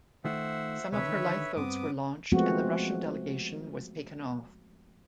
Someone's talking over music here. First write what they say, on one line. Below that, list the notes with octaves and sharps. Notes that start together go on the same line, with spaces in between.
Some of her lifeboats were launched and the Russian delegation was taken off.
D#3 A3 F4 C5 E5 F#5
D2 C3 F3 B4 C#5 E5
D3 D#3
G2 B3 C4 D6 D#6
F3 G#3 A3 B3 C4 F#4